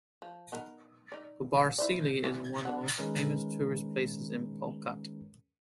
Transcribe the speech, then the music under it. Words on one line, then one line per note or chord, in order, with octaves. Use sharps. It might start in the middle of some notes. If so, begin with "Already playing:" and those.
Gobbarsilli is one of the most Famous tourist places in Palkot.
F3
B3 D#4 A#4
D#4 D5
E4 C5 D5
E3 F#4 D5
D3 D4 F#5
D#3 G#3 C#4 A#4 B4